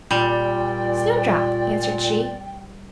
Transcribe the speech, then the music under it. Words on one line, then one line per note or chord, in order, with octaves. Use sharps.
"Snowdrop," answered she.
A#2 G3 D5 G5